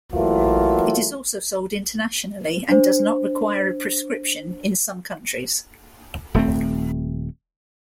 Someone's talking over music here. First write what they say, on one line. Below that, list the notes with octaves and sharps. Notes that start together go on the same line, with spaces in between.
It is also sold internationally, and does not require a prescription in some countries.
E3 F#3 A3 A#3 F4
D4 C5
D#1 A3 C4